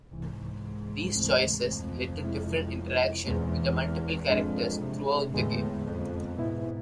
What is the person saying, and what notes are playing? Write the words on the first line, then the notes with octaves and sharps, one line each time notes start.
These choices lead to different interactions with the multiple characters throughout the game.
C2 G#2 C3 E3
D2 C3 E3 A3 C4
F2
C3 G#3 C4 E4
E2 B2 G#3 C4
F2 G#2 G#3 D4
C3
E2 A2 D3 G#3 B3
F2
G#2 B2 B3 E4